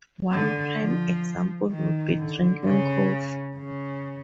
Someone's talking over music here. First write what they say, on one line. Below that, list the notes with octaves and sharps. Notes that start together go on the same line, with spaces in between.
One prime example would be drinking coffee.
D3
F3
D#3
D3
C#3
C#3